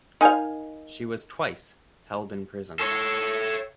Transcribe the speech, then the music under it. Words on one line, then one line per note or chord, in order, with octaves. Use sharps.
She was twice held in prison.
D#4 A#4 D#5 F5 G#5
A4 C#5